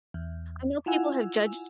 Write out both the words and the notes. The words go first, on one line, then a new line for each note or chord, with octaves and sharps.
I know people have judged
E2
E4 F4 F#5 G#5 E6